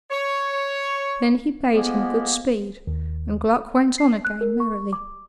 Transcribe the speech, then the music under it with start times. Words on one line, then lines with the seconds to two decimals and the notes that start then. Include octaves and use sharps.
Then he bade him good speed, and Gluck went on again merrily.
0.11 C#5
1.73 F3 G#3 A#3 B3
2.87 D#2
3.98 C7
4.25 F#6
4.41 A#4
4.60 C#6
4.93 D6